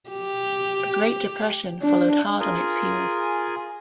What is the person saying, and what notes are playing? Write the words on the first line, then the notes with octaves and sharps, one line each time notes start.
The Great Depression followed hard on its heels.
G4
D4
F4 G#4 A#4 G#5